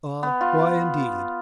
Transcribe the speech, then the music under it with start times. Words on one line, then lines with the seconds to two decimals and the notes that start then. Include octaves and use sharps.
Ah! why indeed?
0.23 B3
0.41 F4